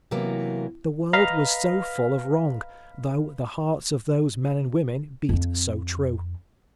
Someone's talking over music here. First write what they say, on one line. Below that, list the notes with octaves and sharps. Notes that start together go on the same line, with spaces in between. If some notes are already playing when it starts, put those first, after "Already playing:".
The world was so full of wrong, though the hearts of those men and women beat so true!
C3 E3 F#3 A#3 B3
B4 D#5 F5 A#5
F2 C4